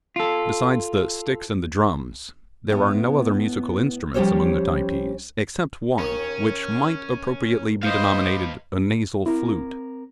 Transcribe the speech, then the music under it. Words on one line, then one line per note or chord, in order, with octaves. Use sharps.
Besides the sticks and the drums, there are no other musical instruments among the Typees, except one which might appropriately be denominated a nasal flute.
F4 A4
A2 B3
F3 G3 C#4 G4 C5 C#5
D#2 D#3 C#4
B4 C5 D#5 F5
C4 E4 A#4